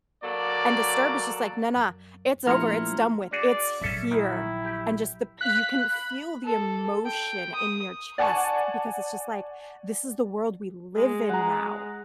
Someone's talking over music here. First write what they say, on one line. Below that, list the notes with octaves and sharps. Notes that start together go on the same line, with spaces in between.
and disturbed is just like, "Na, na, it's over, it's done with, it's here", and just the you can feel the emotion in your chest because it's just like, this is the world we live in now,
F#3 A#3 A4 D5
F#2
A#1 A3 E4 F4 A#5 C6 F6 C#7
D4 F#4 G#4 D5
A#1 F#3 C#4 A4 E5
D#3 E4
G4
F5 F#6 B6
B5
A4
G5
D#6
D5 F#5 G#5 A5 C#6
G#3
F#5 A#5